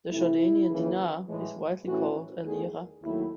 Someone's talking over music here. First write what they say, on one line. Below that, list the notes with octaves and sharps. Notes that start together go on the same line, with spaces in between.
The Jordanian dinar is widely called a "lira".
C3 E3 A3 E4
D#2 C#3 E3
A2 E3 G#3
A2 E3 A3 C#4 F#4
E2 D#3 A3 G#4
D#2 D#3 F#3 A3 E4